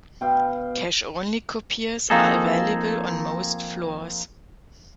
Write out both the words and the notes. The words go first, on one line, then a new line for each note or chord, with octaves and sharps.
Cash-only copiers are available on most floors.
B2 F5 G5
F3 A#3 C4 D#4 G#4 A4